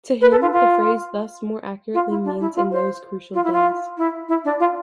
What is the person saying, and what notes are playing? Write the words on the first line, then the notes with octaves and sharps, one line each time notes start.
To him the phrase thus more accurately means in those crucial days.
B4
A4
F4
F4
F4
E4
D4
E4
F4
C5
F4
E4
F4
E4
E4
D4
F4